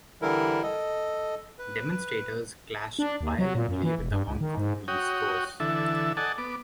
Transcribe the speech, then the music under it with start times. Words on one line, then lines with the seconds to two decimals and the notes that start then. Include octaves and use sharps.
Demonstrators clashed violently with the Hong Kong Police Force.
0.22 D3 E3 G3 E4 A#4
0.63 A4 D#5
1.59 B4
2.99 D4
3.21 D#2
3.39 F#3
3.55 A#2
3.69 F#2
3.83 E3
3.99 E1
4.11 G2
4.28 C#2
4.41 D#3
4.58 G#2
4.88 F#4 C#5 G5 D#6
5.60 D3 E3 A4 E5
6.17 A4 D5 D#5 F#5 G#5 A5
6.38 B3 D6